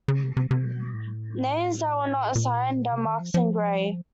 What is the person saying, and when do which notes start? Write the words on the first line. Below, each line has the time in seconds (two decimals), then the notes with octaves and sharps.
Names that were not assigned are marked in gray.
0.08 C#3
0.23 C3
0.37 C3
0.51 C3
0.65 B2
0.94 A2
2.35 A#2
2.92 C3
3.06 D#3
3.20 F3
3.34 F3